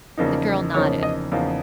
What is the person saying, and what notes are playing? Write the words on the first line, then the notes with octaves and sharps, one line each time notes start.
The girl nodded.
E2 C#3 F3 A#3 D#4
E2 C#3 F3 A#3 D#4 C#5
D#5
E2 C#3 F3 A#3 D#4 F5